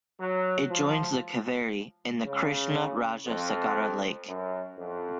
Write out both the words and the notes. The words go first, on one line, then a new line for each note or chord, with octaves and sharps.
It joins the Kaveri in the Krishna Raja Sagara lake.
F#3
F3
C#3
F2
F#2
F2